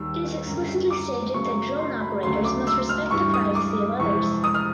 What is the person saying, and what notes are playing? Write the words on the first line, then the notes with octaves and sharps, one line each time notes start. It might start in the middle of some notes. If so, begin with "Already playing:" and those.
It is explicitly stated that drone operators must respect the privacy of others.
Already playing: D#2 D#3 G3 E6
F#2 D3 G3
D6
F#2 C#3 F#3 A3 C#6
C6
B5
D2 C#3 F#3 A3 C6
D6
E6
F6
G2 E3 G3 C#6
D#6
D6
F2 C3 E3 G#3 C#6
D#6
F6